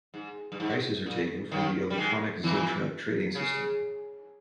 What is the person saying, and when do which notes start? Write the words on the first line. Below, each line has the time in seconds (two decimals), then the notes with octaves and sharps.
Prices are taken from the electronic Xetra trading system.
0.14 G#2
0.52 G2
0.60 G#2
1.06 A#2
1.51 D#2 D#3
1.90 G3
1.97 G#2 G#3
2.43 E2 E3
3.35 C#3